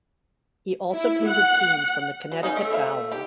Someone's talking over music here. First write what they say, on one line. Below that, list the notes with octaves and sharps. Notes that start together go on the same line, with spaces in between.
He also painted scenes from the Connecticut Valley.
E4
F#5
F#3
C#3 B3 C#4 D#4
A3
C5 E5 F5
D#3 G4